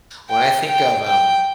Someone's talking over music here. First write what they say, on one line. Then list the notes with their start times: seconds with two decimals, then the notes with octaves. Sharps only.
when I think of, um,
0.30 G5
0.69 G5
1.06 G5